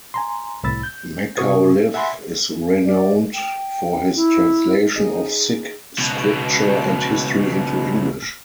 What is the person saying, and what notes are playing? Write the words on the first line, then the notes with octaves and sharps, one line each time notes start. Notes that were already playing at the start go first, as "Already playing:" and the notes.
Macauliffe is renowned for his translation of Sikh scripture and history into English.
G#5 A#5 C6
C2 A2 B5 E6 A6
G6
C3 F#4 C#6 D#6 G#6
E5 F#5 G#5 B5 C6
D5
G5
E4
D#4 G#4 D#5
C#2 B2